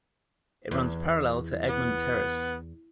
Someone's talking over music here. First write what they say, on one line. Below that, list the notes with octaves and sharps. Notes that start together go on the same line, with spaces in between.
It runs parallel to Egmont Terrace.
E2
B3